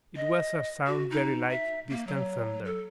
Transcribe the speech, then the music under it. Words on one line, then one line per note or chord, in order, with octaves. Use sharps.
It was a sound very like distant thunder.
D#5
F#4
D#4
E5
A#3
F#3
A4